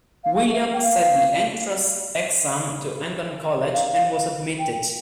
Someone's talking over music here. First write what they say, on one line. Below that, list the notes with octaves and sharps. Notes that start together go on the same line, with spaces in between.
William sat the entrance exam to Eton College and was admitted.
F5
E5
G5
F5
F5
G5